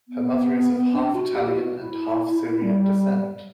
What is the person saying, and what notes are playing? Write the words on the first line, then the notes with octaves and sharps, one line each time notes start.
Her mother is of half Italian and half Syrian descent.
B3
D4
F#4
G4
E4
F#4
E4
G3